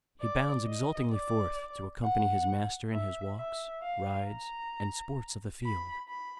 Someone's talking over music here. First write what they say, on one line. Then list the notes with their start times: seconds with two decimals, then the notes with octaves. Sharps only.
He bounds exultingly forth to accompany his master in his walks, rides, and sports of the field.
0.21 D5
0.67 D#5
1.12 D5
2.02 F#5
2.92 E5
3.38 E5
3.83 F5
4.28 A#5
5.64 B5
6.09 B5